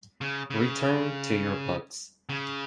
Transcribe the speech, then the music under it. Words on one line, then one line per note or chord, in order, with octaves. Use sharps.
Return to your books.
C#3
C#3
C#3